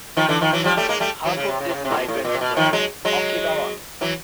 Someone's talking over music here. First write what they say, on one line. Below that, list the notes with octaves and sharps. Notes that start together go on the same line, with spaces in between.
Half of these migrants were Okinawans.
D#3 F3
D3 E3
D#3 F3
E3 F#3
F3 G3
G3 A3
G#3 A#3
G3 A3
E3 F#3
C#3
C3
C#3
C3
C#3
C3
A2
A#2
A2
A#2
C3
B2
D#3 F3
F#3 G#3
F#3 G#3
E3 F#3